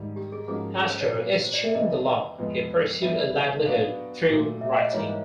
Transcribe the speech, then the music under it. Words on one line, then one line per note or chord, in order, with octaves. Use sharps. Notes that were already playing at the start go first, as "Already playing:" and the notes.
After eschewing the Law, he pursued a livelihood through writing.
Already playing: G#2 D#3 G3
G4
G#4
G#2 F3 A#3 C#4 F#4 G#4
A4
C5
C#5
A#2 F#3 B3 C5
C5
D5
E5
E2 C3 D#3 G3 B3 D#5
F2 C3 F3 G#3 B3
E3 G3 B3 E5
D5
B2 F#3 B3 D4 F#4 F5
A#2 F#3 A3
E5
D#5
G#2 E3 G3 A#3 C#5
C5